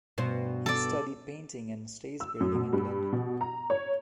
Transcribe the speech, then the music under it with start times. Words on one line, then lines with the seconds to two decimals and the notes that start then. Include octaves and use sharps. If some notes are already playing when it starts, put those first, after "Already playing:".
He studied painting and stage building in London.
0.18 G2 B2 C5
0.66 A4 D5
2.20 E6
2.40 F#2
2.55 B2
2.73 G2
3.12 B2
3.41 A#5
3.70 C#5